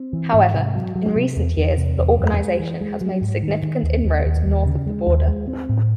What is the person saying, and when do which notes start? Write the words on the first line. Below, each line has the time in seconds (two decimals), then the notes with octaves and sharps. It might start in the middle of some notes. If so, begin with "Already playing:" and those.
However, in recent years the organization has made significant inroads north of the border.
Already playing: C4
0.13 E3
0.34 G#2
0.54 C3
0.75 F#3
0.96 F#3
1.16 C3
1.36 E2
1.57 E2
1.77 C3
1.98 E2
2.18 F#2
2.40 G#3
2.60 E3
2.81 G#3
3.01 F#3
3.21 G#2
3.43 D#3
3.63 D#3
3.83 D#2
4.04 D#2
4.25 D#2
4.45 D#2
4.66 C#3
4.86 G#3
5.07 D#2
5.28 G#3
5.48 C4
5.69 A2